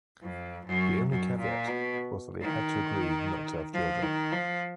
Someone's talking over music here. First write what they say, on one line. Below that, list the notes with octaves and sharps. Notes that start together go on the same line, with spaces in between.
The only caveat was they had to agree not to have children.
F2
F#2
F#2
A#2
B2
D#3
F3
D#3
F3